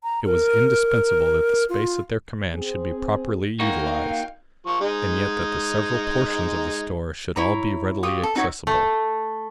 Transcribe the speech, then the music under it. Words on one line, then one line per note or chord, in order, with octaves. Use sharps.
It was indispensable that the space at their command should be properly utilized, and yet that the several portions of the store should all be readily accessible.
A#5
A#4
F4
C4 G#4
A#3 D#4 F#4 F5 G5
F3 C#6
G#3 D#4
E4 C#5 A#5
F4 G4 C#5 D#6
A4
D#4 F#4 C#5 E5
A3